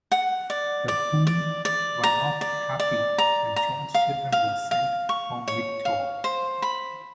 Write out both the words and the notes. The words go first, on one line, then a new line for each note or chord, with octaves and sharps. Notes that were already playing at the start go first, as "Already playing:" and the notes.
The Who were not happy and John's Children were sent home mid-tour.
F#5
D5
D5
D5
D5
A#5
D5
D5
A#5
A#5
F5
F5
F5
C#6
C#5
F5
C5
B5